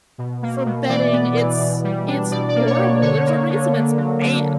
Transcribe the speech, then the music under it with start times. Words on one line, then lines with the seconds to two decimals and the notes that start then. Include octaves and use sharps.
for betting, it's, it's horrible. There's a reason it's banned.
0.18 B2
0.42 A#3
0.66 B2
0.89 E3 D5
1.12 B3
1.36 E3
1.60 B2
1.84 G3
2.07 D4
2.31 B2 D5
2.49 D5
2.55 A#3
2.66 C#5
2.79 B2
3.02 D3 C#5
3.26 A#3
3.50 D3
3.73 D3
3.97 F#3
4.21 D3